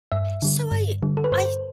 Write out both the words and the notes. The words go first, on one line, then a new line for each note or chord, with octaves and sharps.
so, I I
G2 E5
D3 G3
G2
D3 G3
A4
B4
G2 C5